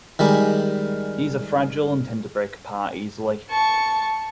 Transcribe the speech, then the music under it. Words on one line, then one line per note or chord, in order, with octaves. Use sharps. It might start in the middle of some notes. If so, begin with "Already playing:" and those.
These are fragile and tend to break apart easily.
D#3 G3 G#3
A5 C#6